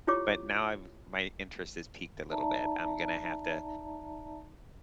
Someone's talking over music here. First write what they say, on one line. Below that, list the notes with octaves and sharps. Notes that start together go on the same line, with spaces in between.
but now I've my interest has peaked a little bit, I'm gonna have to
E4 F4 G4 C#5 D6
D#4 D5 E5 A5 A#5